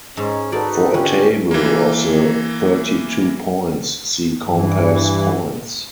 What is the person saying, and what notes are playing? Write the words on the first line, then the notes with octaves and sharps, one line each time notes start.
For a table of the thirty-two points, see compass points.
G#2 C#4
D#4 F#4 A4 B4 D5
D3 C#4 F4 G4 B4
E3 A#3
G2 E3